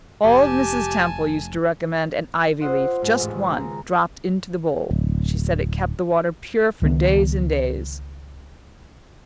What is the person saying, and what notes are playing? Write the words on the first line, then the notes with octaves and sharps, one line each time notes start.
Old Mrs. Temple used to recommend an ivy leaf--just one--dropped into the bowl. She said it kept the water pure for days and days.
F1 G4 G#5 A5
E4 F4 C5 D#5 F#5 C6
G#2 G#3
E1 A1
D#3
C#2 G#3 A#5
D1
C#2 D#3 F3 B3